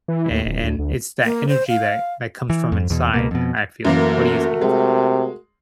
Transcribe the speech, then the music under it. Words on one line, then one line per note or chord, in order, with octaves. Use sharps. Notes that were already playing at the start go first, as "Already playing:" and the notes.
A and it's that energy that that comes from inside, I feel. What do you think?
E3
D#2
D1
D2
D2
A#3
C5
F5
E3
F2
E2 B2
C#2 B2 A#3
F2 B2
F#2 E3 A3 A#3 F#4 A#4
C3 G#3